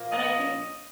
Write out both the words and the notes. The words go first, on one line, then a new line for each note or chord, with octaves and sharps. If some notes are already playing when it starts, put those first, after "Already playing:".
And I think
Already playing: A#2 F3 A#3
D#5